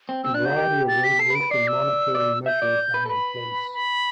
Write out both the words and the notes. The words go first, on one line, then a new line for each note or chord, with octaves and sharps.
A variety of radiation monitoring measures are in place.
C4
C4 E6
D4 F#6
F#4 G6
G4
A6
B6
A4 C7
B4
D7
B4
D5 C7
E6
D5
E5 G6
D5
B4
A4
B4 B5
B5